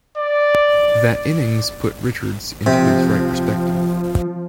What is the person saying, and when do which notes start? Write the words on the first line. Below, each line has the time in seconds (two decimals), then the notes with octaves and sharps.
That innings put Richards into his right perspective.
0.17 D5
2.66 C3 F3